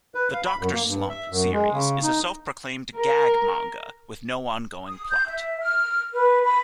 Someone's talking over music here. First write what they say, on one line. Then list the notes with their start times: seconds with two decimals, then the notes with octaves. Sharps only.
The "Doctor Slump" series is a self-proclaimed gag manga with no ongoing plot.
0.15 B4
0.33 F5
0.46 B5
0.59 F#2
0.73 A#3
0.88 G2
1.09 E5
1.30 F#2
1.53 G#3
1.72 C#3
2.02 D#4
2.96 A#4
4.87 D#6
5.08 G6
5.26 E5
5.61 F6
6.13 B4
6.44 B5